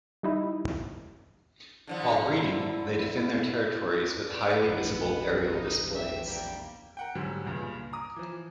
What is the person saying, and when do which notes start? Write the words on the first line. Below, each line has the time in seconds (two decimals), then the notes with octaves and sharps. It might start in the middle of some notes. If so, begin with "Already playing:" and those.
While breeding, they defend their territories with highly visible aerial displays.
0.23 G3 D#4 E4
1.87 D3 F3 B3 E4
4.26 B3 B4 D5
4.65 E1 A#1 F#5
5.51 D#4
5.95 G4 E5
6.27 G3 A#3 G5
6.97 A#4 F#5 G5
7.15 G#2 D3 F#3 G3
7.46 C#2 G2 A#2 C#3
7.93 A#5 D6 D#6
8.16 E3 F3